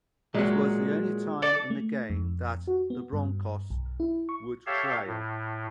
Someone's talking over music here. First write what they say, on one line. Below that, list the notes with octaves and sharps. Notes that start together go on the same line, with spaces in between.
It was the only time in the game that the Broncos would trail.
A#2 F#3 G#3
A4 D5
A3
F2
F#4
B3
G2
B1
E4
C#6
G4 A4 C#5 E5 F5
A2